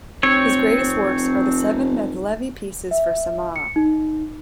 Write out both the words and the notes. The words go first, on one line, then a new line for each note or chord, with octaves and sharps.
His greatest works are the seven Mevlevi pieces for Samah.
F1 C4 C#5
E5
C#7
D#4